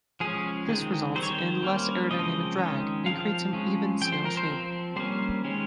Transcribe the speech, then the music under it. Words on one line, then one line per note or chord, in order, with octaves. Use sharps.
This results in less aerodynamic drag and creates an even sail shape.
F3 G#3 C#4 G#4
D#3 G#3 C4
D#3 G3 C4 C5
C#5
C5
G3 A#3 C#4
C#3 F3 G#3 C4 D#5
D#3 G#3 C#4
F3 C4 F5
F3 G#3 C#4
F3 C4 G5
C5
A#4
C5
F3 C4
G3 A#3 C#4 C5
D#3 G#3 C#4